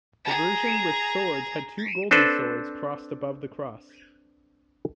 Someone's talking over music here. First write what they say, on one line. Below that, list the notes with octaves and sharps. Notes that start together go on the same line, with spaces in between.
The version with Swords had two golden swords crossed above the cross.
G#4 A#5
C4 D4 A4 B4 C5